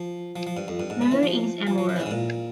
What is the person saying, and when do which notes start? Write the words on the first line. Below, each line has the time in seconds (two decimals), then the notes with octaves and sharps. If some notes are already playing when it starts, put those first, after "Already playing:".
Memory is amoral.
Already playing: F3
0.36 F3
0.47 F3
0.57 G2
0.68 F2
0.80 G2
0.90 G#2
1.01 C#3
1.11 E3
1.23 F3
1.67 F3
1.78 F3
1.89 F3
1.96 E3
2.00 C#3
2.06 G#2
2.11 A#2